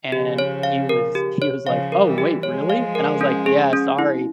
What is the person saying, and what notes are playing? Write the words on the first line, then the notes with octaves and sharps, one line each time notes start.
And he was he was like, “Oh, wait really?” And I was like, “Yeah sorry,
C#3 F3 G4
C#5
F5
A#4
G4
C#5
C#3 F3 F5
A#4
E3 G3
G4
F3 G#3 C#5
F5
A#4
C#4
G#4
C#4
E4